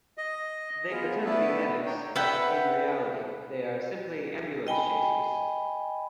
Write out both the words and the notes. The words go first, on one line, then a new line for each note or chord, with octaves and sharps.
They pretend to be medics, but in reality they are simply ambulance chasers.
D#5
B3 F4 G#4
A3 B3 D4 E4 A4 B4
D4 D#4 C#5 G5
B4 E5 F#5 G5
D#5 G5 G#5 B5